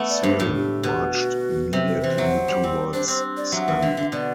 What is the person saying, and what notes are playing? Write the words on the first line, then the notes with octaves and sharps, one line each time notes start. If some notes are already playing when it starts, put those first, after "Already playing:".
Selim marched immediately towards Srem.
Already playing: A3 B3
D5
G2 C5
A2 F#4
G4
B2
F#4
C3
A4
E3 C5
F#3
G3
C4
D4 C5
C4 C5
D5
F#3 E5
E3
D3
D3
B2 D5